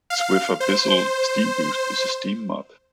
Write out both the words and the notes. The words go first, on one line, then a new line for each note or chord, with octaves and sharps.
Swiffer Bissell Steamboost is a steam mop.
F5
C5